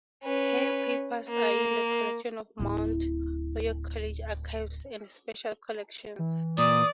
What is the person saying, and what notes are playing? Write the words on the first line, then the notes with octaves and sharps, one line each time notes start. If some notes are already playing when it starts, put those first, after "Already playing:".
Her papers are in the collection of Mount Holyoke College Archives and Special Collections.
C#4 B4
A#3
D1 E4
E3
A#2 D5 D#6